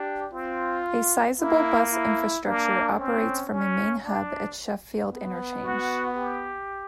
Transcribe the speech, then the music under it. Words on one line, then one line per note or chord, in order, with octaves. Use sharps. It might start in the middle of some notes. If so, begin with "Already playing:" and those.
A sizeable bus infrastructure operates from a main hub at Sheffield Interchange.
Already playing: D4 G4
C4 F4
A#3 E4
E4
A#3 D4
C4 C#4
C#4
D4
B3
F#4
G4